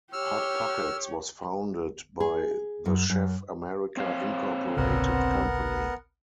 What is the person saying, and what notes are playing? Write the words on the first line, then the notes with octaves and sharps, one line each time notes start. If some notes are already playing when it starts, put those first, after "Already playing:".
Hot Pockets was founded by the Chef America Incorporated company.
G4 C#5 E6 F6
G#4
F#2
F#2
C4 C#5 F5
G#1 C#2 C3 B3 A#4 F#5